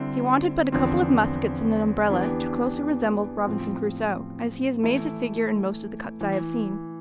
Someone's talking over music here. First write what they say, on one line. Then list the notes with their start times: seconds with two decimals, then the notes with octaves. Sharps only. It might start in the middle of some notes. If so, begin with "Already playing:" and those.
He wanted but a couple of muskets and an umbrella to closely resemble Robinson Crusoe, as he is made to figure in most of the cuts I have seen.
Already playing: D3 G3 C4 E4
0.72 E2 D3 F3 C4
2.10 E3 B3 D4 G4 B4
3.46 A2 F3 C4
4.84 E3 A3 E4
6.21 E3